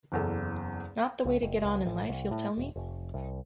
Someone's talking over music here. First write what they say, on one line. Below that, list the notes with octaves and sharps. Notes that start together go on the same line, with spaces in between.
Not the way to get on in life, you'll tell me?
F#1 E2 A4
C#2
F#1
C#2
A1
C2
A2
E1
F1
C2